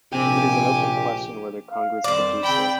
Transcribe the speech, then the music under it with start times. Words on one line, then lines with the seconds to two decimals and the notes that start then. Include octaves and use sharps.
It is an open question whether Congress could do so.
0.13 A#1 C3 C4 G4 G#5 D6
1.70 F5
2.04 F2 D#3 G3 C5 D5
2.42 C#3 C4 G5 B5